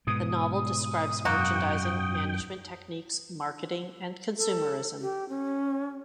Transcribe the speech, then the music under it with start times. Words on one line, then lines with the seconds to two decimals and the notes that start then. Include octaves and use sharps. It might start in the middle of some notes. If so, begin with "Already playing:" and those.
The novel describes merchandising, management techniques, marketing, and consumerism.
0.07 G#2 B2 D#6
1.25 F#2 A#3 F#4 G5
4.37 A4
5.01 G4
5.29 C#4